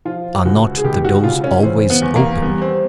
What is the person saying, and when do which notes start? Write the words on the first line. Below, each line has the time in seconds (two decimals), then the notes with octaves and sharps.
Are not the doors always open?
0.05 F3 F4
0.45 C#2 F#4
0.78 G#4
0.84 C#2 G4
1.05 F#4
1.24 C#3 F4
1.44 C#4
1.63 E3 C4
1.90 B3
2.02 E2
2.16 A#3
2.42 G3 B3
2.62 C4